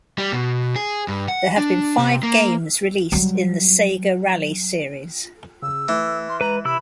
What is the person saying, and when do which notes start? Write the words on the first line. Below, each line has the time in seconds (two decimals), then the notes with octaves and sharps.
There have been five games released in the "Sega Rally" series.
0.18 G3
0.32 B2
0.76 G#4
1.08 G2
1.28 F#5
1.57 D4
1.98 C3
2.23 A#3
3.12 F#3 G3
5.62 C#3 E6
5.88 E3 A3
6.29 C6 F6
6.41 G#3 B4 A#5
6.65 C3 E4 B5 E6